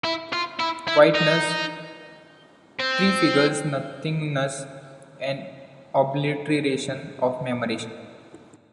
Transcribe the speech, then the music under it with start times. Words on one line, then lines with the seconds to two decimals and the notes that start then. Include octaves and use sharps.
Whiteness prefigures nothingness and obliteration of memory.
0.05 E4
0.33 F4
0.59 E4
0.88 E4
1.15 D#4
2.80 C4